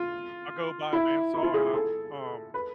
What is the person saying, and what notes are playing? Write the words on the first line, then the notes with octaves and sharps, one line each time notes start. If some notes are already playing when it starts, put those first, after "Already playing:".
I'll go buy a band saw and I w um
Already playing: F4
E4
E4
F4
G#4
A4
B4